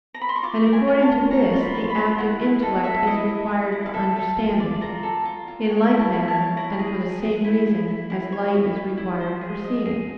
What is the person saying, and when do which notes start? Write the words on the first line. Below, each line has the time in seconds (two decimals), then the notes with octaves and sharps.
And according to this the active intellect is required for understanding, in like manner and for the same reason as light is required for seeing.
0.14 A#5
0.21 B5
0.29 C6
0.36 C#6
0.43 F4 D6
0.66 A#4
0.73 G#5
0.87 F4
1.02 A5
1.10 F4
1.31 C#5 A#5
1.53 F4
1.61 B5
1.75 F4 C#6
1.82 C6
1.90 B5
1.98 F4
2.18 E4 F#5
2.41 E4 F5
2.62 A4 D#5
2.84 A4 E5
3.06 E4 D#5
3.28 D#5
3.51 E4
3.72 E4
3.86 F5
3.94 A4 E5
4.16 A4
4.39 F4
4.60 D5
4.81 F4 A#5
5.03 A4
5.25 F4
5.48 F4
5.65 G5
5.70 C#5 G#5
5.92 E4
5.99 A5
6.13 E4
6.28 A5
6.35 C#5
6.57 E4 A#5
6.79 G#4
7.01 G#4
7.22 G#4
7.44 E4
7.67 E4
7.88 E4
8.10 E4
8.32 C#5
8.54 E4
8.76 E4
8.97 E4
9.20 C5
9.41 G#4
9.64 D#5
9.85 G#4